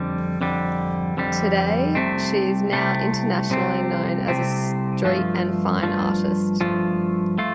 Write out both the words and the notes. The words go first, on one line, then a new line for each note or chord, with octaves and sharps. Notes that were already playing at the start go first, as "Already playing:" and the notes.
Today, she is now internationally known as a street and fine artist.
Already playing: F2 D3 G3
F2 D3 G3
F2 D3 G3
C2 C3 A3 C4
C2 C3 A3 C4
C2 C3 A3 C4
C2 C3 A3 C4
G2 F3 A3 F4
G2 F3 A3 F4
G2 F3 A3 F4
A3 F4